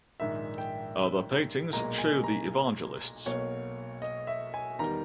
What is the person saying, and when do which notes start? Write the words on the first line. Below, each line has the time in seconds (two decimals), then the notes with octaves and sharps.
Other paintings show the Evangelists.
0.20 A#1 G#2 D#3 E5
0.58 G5
1.73 B1 A#2 G#3 A#5
1.98 G#5
2.24 A#5
3.26 B1 B2 A#3 C#5
4.02 D#5
4.27 E5
4.54 G#5
4.79 E2 D#3 G3 A#5